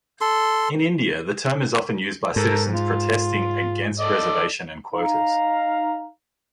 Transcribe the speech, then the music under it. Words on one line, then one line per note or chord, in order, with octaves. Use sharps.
In India, the term is often used by citizens protesting against reservation and quotas.
A4 C6
G#2 A4 A#4
F4
A4 D5 D#5
D#4 F5 A#5